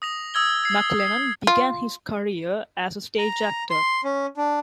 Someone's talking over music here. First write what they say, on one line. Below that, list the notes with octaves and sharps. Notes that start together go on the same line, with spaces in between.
MacLennan began his career as a stage actor.
D#6 A#6 F7
D#6 E6 G#6 G7
G#6 C7
C7
F4
A#5
C6
C#4
D4